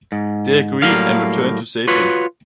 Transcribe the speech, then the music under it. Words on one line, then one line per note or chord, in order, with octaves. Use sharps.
They agree and return to save him.
G#2
A2 F#3 G3 A#3 F5
F4 F#4 B4 C#5